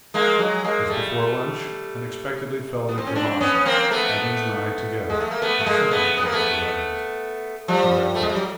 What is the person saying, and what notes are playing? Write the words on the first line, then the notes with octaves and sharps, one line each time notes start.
Just before lunch unexpectedly fell into crevasses, Evans and I together--a second fall for Evans, and I camped.
G#3 A#3
F#3 G#3
G#3 A#3
G3 A3
B3
C4
C#4
C4 D4
B3 C#4
B3
A#3 C4
A3 B3
G#3
A3
A#3
A3 B3
A3
G#3 A#3
A3 B3
B3
A#3
A3 B3
F3 G3
A3
G#3
G3
F#3